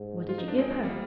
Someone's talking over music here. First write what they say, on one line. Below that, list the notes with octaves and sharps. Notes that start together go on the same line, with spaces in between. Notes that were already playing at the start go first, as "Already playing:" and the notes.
'What did you give her?'
Already playing: G#2
F4
D#4
F2 D4
G#3 C4
G#3 C4
G3 A#3